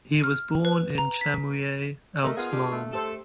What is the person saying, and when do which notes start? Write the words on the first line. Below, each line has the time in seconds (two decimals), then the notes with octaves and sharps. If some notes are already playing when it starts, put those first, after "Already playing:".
He was born in Chamouilley, Haute Marne.
0.24 F6
0.65 B4
0.98 A#5
1.21 B6
2.23 A3 A#4 D#5
2.37 B3 F4 G#4 F5
2.52 D4 G4
2.72 A3
2.93 G4 A4 C5